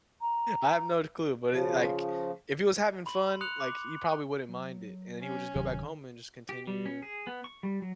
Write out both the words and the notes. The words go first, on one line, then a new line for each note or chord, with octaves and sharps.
have no clue, but, it like, if he was having fun, like, he probably wouldn't mind it, and then he would just go back home, and just continue,
A#5
C#3 F3
B5 C6 F#7
C6 D#6 F#6 C#7 F7
D6
F#3
C#4
D1 C3 D#3 F#3
G4
G3
C#4
G#4
B3
C#6
G3
F#3